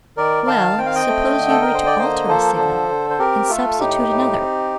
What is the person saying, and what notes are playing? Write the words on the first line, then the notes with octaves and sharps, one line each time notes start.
"Well, suppose you were to alter a signal, and substitute another?"
D#3 A#4 D5
D#3 F5 A5
C4 G5
F5
D#5 G5
A3
D3
A4
A#4
D3
C5
D5
A#3 C5 D#5
F3 A4 C5
D3
D3
C5
C4 G4 A#4
A3 F4 A4
A2 D#4 G4
A2
C4